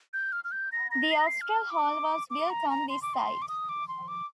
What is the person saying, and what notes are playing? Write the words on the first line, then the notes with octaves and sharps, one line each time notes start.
The Austral Hall was built on this site.
G6
F6
F6
G6
A#6
A#6
C7
A#6
C7
F6
D6
D6
A#5
A#5
C6
D6
C6
D6
D#6
D6
C6
D6